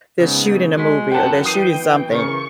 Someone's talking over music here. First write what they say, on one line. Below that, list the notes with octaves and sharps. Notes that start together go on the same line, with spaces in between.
they're shooting a movie or they're shooting something.
G#2 C#3 B3
G#3 F#4 B6
F#2 F#5 G5 A5
E3 G5 D#6 C7 D#7
C#3 A#4 C#6